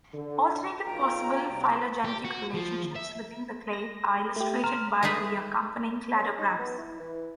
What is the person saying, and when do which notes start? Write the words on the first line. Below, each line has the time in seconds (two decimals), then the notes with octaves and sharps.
Alternative possible phylogenetic relationships within the clade are illustrated by the accompanying cladograms.
0.13 D3
0.84 B1 F4 G5 A#5
1.47 C2 A#3
2.05 G4
2.25 F#4
2.54 F3
2.96 E5
3.73 A#6
4.36 A3 G4
4.64 A#5 C6 F6
5.03 G#3 A3 D#4 G#4 B4
6.16 C#4
6.39 D#4
6.58 B3
6.78 E4
7.00 E3